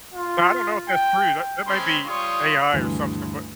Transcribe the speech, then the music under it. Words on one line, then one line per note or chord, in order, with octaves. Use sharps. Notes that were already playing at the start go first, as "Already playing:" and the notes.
Now I don't know if that's true, that that might be AI or something, but
F4
G5
G#3 C4 C#4 C#5 B5 C6
G3 F4 C#5 C6 C#6 D#6
D2 G2 D3 E3